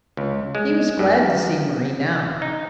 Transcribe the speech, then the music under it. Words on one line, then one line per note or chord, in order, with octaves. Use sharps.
He was glad to see Mari now.
C#2
G#3
F#2
D#4